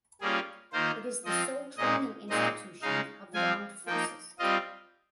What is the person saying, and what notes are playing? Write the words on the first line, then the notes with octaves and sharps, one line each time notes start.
It is the sole training institution of the armed forces.
G3 A#3 C#4 F4 G#4
D#3 A#3 F4 C5
F3 C4 F4 D#5
A#2 G#3 D#4 D#5
A#2 G#3 C4 D#4 D#5
C#3 G#3 D#4 F5
F3 C4 F4 G#5
F3 A#3 D#4 G5
G3 C4 F4 D#5